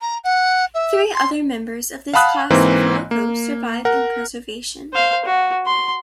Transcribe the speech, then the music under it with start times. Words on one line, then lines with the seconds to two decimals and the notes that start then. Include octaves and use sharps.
Three other members of this class of loco survive in preservation.
0.01 A#5
0.24 F#5
0.74 E5
1.14 C6
2.13 F5 F#5 A5 B5 D#6 F#6
2.50 G#2 E3 A#3 C4
3.11 A#3
3.85 A#4 F#5
4.93 C5 F5
5.25 F#4
5.66 C6